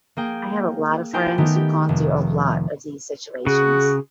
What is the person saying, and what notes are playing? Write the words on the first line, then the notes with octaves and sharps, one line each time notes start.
I have a lot of friends who've gone through a lot of these situations.
A#3 G#4 G5
E4 A#4 C5 G5 G#5 D6
D#3 A3 B3 D#4
G4
F1
C#3 F#4 G#4